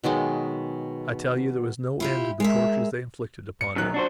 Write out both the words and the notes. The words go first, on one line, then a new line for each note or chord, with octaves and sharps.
I tell you there was no end to the tortures they inflicted upon him.
B2 D#3 F#3 G#3
E4 F4 G4
G#3 A#4 E5
C#7
F#2 D#3 F#3 F#6
D4 F#4 C5